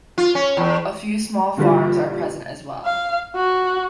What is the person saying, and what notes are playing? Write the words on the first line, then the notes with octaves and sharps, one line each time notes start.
A few small farms are present as well.
F4
C#4
E2
G2 A#2 D3 E3 G3 F4
F5
F#4